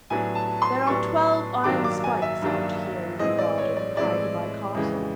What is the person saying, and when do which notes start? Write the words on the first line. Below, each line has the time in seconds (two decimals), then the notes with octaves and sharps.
There are twelve iron spikes out here in the garden behind my castle.
0.10 A2 F#3 B3 D4 G#5
0.35 A5
0.62 C6
0.87 A2 F#3 B3 D4 C#6
1.64 G2 D#3 F#3 A#3 D4 D6
1.84 D6
2.04 G#5
2.22 E5
2.42 G2 D#3 F#3 A#3 D4
3.19 A2 E3 G#3 C4 E4 D#5
3.38 D5
3.58 C#5
3.76 D5
3.96 A2 E3 G#3 C4 E4 D5
4.74 F2 C#3 E3 G#3